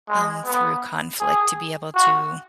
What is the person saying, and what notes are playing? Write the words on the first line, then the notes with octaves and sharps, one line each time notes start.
um, through conflict to be able to,
G#3
B3
G#4
F#4